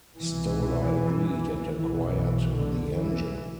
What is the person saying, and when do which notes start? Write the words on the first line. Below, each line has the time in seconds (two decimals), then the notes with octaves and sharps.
Stolar agreed and acquired the engine.
0.18 C2 B2 E3
1.76 B1 B2 E3
2.55 D3
2.94 E3